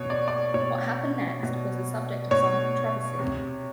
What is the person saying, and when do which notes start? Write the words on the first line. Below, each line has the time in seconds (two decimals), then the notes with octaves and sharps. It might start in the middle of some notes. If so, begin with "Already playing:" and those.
What happened next was a subject of some controversy.
Already playing: B2 C#5
0.10 D5
0.28 D5
0.54 B2 C#5
1.43 B2
2.31 B2 C#5
3.19 C3